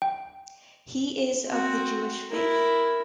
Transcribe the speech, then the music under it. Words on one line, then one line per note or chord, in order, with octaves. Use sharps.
He is of the Jewish faith.
G5
C4 F#4
E4 A#4